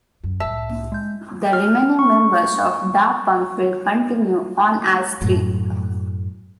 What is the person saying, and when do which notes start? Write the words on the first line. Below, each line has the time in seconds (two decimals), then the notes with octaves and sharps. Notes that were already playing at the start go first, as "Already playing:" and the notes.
The remaining members of Da Pump will continue on as three.
0.24 F#2
0.40 C2 A2 E5 A5
0.92 G#3 G6
1.53 F6
1.99 C#6
5.21 F#2 A2